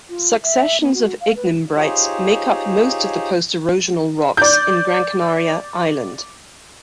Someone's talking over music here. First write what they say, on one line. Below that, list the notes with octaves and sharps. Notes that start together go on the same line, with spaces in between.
Successions of ignimbrites make up most of the post-erosional rocks in Gran Canaria Island.
F4
E5
B3
F#4
F5
B4
D#4 F4 G4 G#4 C5 C#5
D5 G6